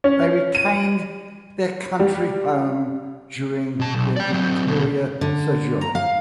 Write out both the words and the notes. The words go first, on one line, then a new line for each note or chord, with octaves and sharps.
They retained their country home during their Victoria sojourn.
C#4
D#7
G3
B2 A5
B1
D5 G5
F#3 C4
D2 B2
D3
A#5
F5